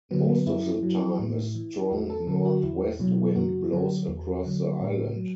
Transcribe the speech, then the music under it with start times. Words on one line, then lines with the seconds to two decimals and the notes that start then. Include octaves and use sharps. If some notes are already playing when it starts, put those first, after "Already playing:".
Most of the time a strong northwest wind blows across the island.
0.11 D3 F#3 B3
0.29 B3
0.47 F#2 E4
0.83 F#3
1.19 A2
1.55 E3
1.91 E2 F#4
2.10 A4
2.27 D3 F#3 A4
2.45 F#4
2.63 E2 E4
2.99 B2 F#3
3.36 F#2 F#4
3.72 D3 F#3
4.08 E2
4.44 D3 F#3
4.80 A2
5.16 F#3